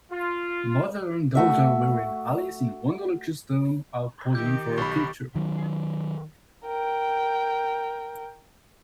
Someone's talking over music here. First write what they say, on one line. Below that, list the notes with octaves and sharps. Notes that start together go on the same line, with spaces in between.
Mother and daughter wearing Alice in wonderland customs are posing for a picture.
F4
A3 F#4 E5
D#3 G4 G6
B1 B5 C#6 A6
D#3 F#3
A#4 G5